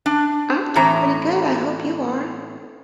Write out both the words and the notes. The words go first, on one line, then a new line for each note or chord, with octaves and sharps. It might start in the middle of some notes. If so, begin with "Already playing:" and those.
I'm doing pretty good, I hope you are.
D4
A2 E3 A#5